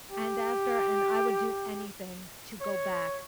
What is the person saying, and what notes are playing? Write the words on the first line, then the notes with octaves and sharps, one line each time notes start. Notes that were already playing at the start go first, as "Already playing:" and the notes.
and after and I would do anything to go back.
G4
C#5